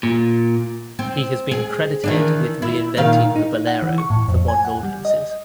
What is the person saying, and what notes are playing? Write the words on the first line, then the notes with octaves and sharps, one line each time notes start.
He has been credited with reinventing the bolero for modern audiences.
A#2
C4
G#4
D#3 E3 D4
E4
A#2 D#3 F5
D#4
F#5
E3
C#6
A2
F2
G#5
F#5
G3
D#5